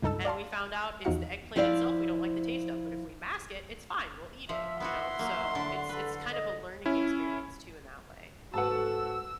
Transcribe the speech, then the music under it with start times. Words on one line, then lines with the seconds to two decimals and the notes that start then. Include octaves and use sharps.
and we found out it's the eggplant itself we don't like the taste of, but if we mask it, it's fine, we'll eat it, you know? So, it's it's kinda a learning experience too in that way.
0.02 C#2 G2 D#4 A4 A5 E6
0.25 D5 F5 A5 C6
1.04 E2 F3 D#4 F#4 F5 C#7
1.56 F3 E4 C5 D5 F5
4.49 F3 E5
4.80 B3 E4 F#4 F#5 C6
5.19 F#3 A#3
5.55 D3 A5
5.89 A4 B4
6.31 D#5
6.86 C#4 E4
8.54 G#2 F#4 A4 B4 F#5 A5 E6